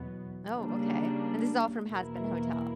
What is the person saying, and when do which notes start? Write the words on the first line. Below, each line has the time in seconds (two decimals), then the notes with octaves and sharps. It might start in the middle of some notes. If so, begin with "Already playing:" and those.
Oh, okay, and this is all from "Hazbin Hotel?"
Already playing: E2 B2 F#3 B3
0.53 C#3 G3 A#3 D4
1.88 E2 B2 A#3 E4 A#4